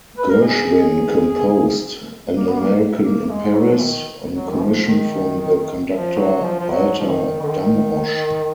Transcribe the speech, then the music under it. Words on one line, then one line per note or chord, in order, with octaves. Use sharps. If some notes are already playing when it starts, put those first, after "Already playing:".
Gershwin composed "An American in Paris" on commission from the conductor Walter Damrosch.
B4
A#4
G#4
G#4
A#3
B3
A#3
A#3
A#3
G#3
F#3
F3
D#3
F#3
D#3
F3
D#3
F3
F#3
F3
F3
F#3
F3
D#3
D3
D#3